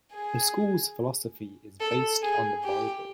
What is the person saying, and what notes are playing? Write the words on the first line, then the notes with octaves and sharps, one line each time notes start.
The school's philosophy is based on the Bible.
G#4
A4
G#4
G4